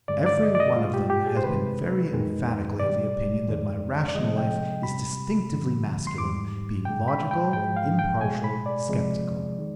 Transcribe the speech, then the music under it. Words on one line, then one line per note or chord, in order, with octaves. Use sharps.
Every one of them has been very emphatically of the opinion that my rational life is distinctively masculine, being logical, impartial, skeptical.
G2 D3 G#3 D5
D5
D#5
D5
D#5
B2 G#3 F4
G4
G4
G#4
C5
C3 D#3 G#3 B4
F2 D#3 G#3
B2 G3 D5
F2 D#3 G#3
D5
C3 F3 G#3 D#5
G5
C3 G3 B5
G2 D3 F3
C6
G#2 D#3 G3 D6
B2 G#3 G5
B5
G5
G#2 F3 G#3 G5
F5
G5
B2 G#3 G#5
B5
D5
C3 F3 G#3
D#3 G#3